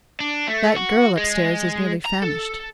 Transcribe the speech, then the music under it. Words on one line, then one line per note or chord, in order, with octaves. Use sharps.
"That girl up-stairs is nearly famished."
D4
A3
F#4
G#3
A#5
A4